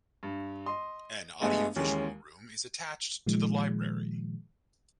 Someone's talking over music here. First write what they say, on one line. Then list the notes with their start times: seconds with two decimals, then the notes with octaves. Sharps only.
An "Audio Visual Room" is attached to the library.
0.23 G2
0.66 D#5 C6
1.41 G2 G#3 A3 B3
1.76 D#2 E3 G#3 C#4
3.26 A#2 D#3 F3 G#3